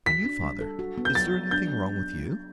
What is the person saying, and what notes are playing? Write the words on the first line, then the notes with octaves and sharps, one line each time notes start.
"And you, father--is there anything wrong with you?"
F#4 B6
D4
G3
A4
F#4
B3
G6
F#3 A6
F#3
D4 G6